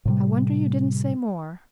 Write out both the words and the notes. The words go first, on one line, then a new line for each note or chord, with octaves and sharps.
"I wonder you didn't say more."
A2 C3 G3